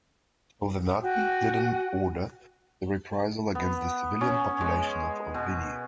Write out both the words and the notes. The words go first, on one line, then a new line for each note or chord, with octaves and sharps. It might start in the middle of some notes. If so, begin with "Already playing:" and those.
So the nazi didn't order the reprisal against the civilian popolutation of Albinea.
F#4 G5 G#5
B3
C#4
G#3
B2